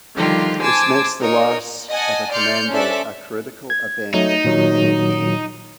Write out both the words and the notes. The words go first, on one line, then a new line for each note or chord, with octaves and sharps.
This makes the loss of a Commander a critical event in any game.
D3 D#3 F3 G3 F4 G4
C5 G#5 A5 D6 E6 G#6
D#4 A#4 C#5
D#5 F#5 G#5 A5
D5 C6 F6 G6 C#7
C#4 A4 C5 D5 E5
G#6
F#3 A3 D#4
A#2 D#3 F#3